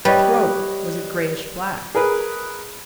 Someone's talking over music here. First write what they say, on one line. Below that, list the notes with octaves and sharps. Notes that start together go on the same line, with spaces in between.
Her throat was a grayish-black.
G3 B4 C#5 D#5
G#4 A#4 B4